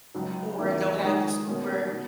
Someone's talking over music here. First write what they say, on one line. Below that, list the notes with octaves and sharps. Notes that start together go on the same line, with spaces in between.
or they'll have the scooper,
C#2 C#3 F#3
E2 D#3 A#3 E4
D#3 G#3 D#4 G#4
B2 A#3 C#4
B2